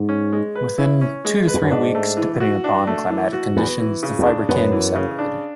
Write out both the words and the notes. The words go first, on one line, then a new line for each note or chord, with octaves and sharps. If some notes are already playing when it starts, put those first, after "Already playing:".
Within two to three weeks, depending upon climatic conditions, the fibre can be separated.
Already playing: G#2
C#4
G#3
B4
E4
C#4
G#3
B4
E2
F#2
G#2 D4
A3
E3
F#4
D4
A3
E3
F#4
E2 B3
E3
C#3
E2
D4
F#2 B3
E3
C#3
D4